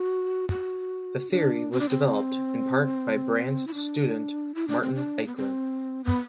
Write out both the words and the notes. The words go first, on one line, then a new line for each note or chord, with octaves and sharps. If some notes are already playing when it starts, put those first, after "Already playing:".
The theory was developed in part by Brandt's student Martin Eichler.
Already playing: F#4
F#4
D4
C4
D4
C4
E4
D4
E4
D4
C4
D4
B3
C4
B3